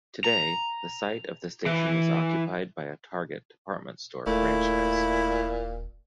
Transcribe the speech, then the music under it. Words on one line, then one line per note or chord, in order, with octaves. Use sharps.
Today, the site of the station is occupied by a Target department store franchise.
A#5
E3
D#1 A#2 A3 E4